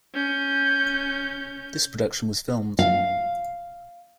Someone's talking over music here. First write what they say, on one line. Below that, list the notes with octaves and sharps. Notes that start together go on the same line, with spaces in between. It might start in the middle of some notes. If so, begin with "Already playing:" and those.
This production was filmed.
C#4 G6
F5